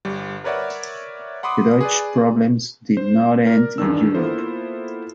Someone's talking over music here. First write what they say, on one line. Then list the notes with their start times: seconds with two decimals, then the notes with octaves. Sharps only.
The Doge's problems did not end in Europe.
0.05 G1 G3
0.44 A#4 B4 C#5 D5 E5 F#5
1.43 F#5 B5 C6 D6 D#6
1.81 G#4 B4 D5
2.97 C5
3.47 A#4 D5
3.78 E2 G2 D#3 D4 E6
4.15 A#3 B3 E4 F4 A4 C5